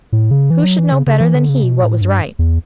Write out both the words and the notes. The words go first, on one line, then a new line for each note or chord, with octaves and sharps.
Who should know better than he what was right?
A2
C#3
E3
F#3
E3
C#3
C#3
E3
D3
C#3
B2
A2
G2
E2